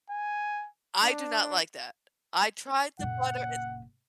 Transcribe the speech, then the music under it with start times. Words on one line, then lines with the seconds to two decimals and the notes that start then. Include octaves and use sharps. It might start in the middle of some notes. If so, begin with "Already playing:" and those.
I do not like that. I tried the butter, it
0.10 G#5
1.03 D4
2.99 F#1 A#2 F#5